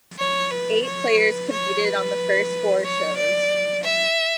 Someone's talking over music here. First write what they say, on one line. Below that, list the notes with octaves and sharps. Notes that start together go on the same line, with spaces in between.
Eight players competed on the first four shows.
C#5
B4
C#5
B4
C#5
B4
C#5
D5
E5